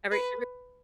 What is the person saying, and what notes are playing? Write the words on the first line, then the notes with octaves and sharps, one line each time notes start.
Every every
B4